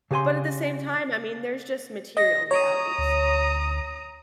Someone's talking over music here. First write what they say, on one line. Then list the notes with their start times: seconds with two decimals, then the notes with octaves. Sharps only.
but at the same time, I mean, there's just material realities,
0.11 C#3 G4 G#4 G#5 C6
2.17 D#5 A#6
2.51 C#5 A#5 D#6
2.98 D2